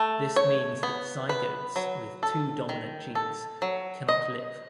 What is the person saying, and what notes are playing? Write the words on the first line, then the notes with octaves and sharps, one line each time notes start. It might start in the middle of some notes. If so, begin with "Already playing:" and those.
This means that zygotes with two dominant genes cannot live.
Already playing: A3
C#5
B3
B4
F#3
A4
D#3
A4
F#3
D#5